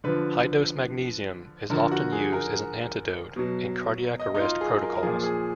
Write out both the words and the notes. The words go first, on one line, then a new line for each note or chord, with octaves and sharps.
High-dose magnesium is often used as an antidote in cardiac arrest protocols.
D3 F3 B4
D3 F3 A#4
F#4
G#4
A#4
B2 F#3
D#5
D#4
F4
G#4
A#4
A#4
A#2 F3 G#4
G#4